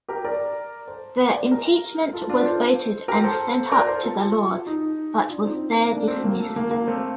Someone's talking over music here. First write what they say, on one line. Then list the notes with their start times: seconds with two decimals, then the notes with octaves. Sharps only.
The impeachment was voted and sent up to the Lords, but was there dismissed.
0.09 G4 A#4
0.24 A#4 D5
0.88 A4 C5
1.30 D5
1.40 C5
1.51 G4 A#4
2.13 F4 A4
2.29 D4 F4
2.45 A4 C5
3.08 G4 A#4
3.24 A4 C5
3.72 A#4 D5
3.87 A4 C5
4.03 F4 A4
4.66 D#4 G4
5.29 D4 F4
5.45 C4 D#4
5.92 A#3 D4
6.08 A3 C4
6.24 A#3
6.40 A3
6.56 A#3
6.71 A#3
6.87 A3 C4